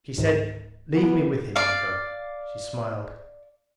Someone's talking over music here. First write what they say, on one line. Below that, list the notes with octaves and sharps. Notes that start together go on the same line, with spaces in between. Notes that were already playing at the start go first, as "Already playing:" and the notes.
She said, "Leave me with him, Miko...." She smiled.
C#2 G#2 D#3
B3 E4
D5 F5